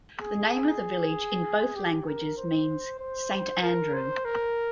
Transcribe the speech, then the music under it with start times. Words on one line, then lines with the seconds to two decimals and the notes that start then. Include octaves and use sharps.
The name of the village in both languages means "Saint Andrew".
0.20 G#4
1.76 G4
2.07 A#4
2.37 C5
3.00 C5
3.62 A#4
3.94 C5
4.25 A#4